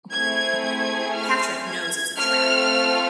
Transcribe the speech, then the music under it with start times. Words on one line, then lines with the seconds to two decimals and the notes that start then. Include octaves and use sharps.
Patrick knows it's a trap.
0.12 A3 C4 E4 G#4 G#6
0.63 G#6
1.15 F6
1.67 G#6
2.18 A3 C4 F4 A4 F6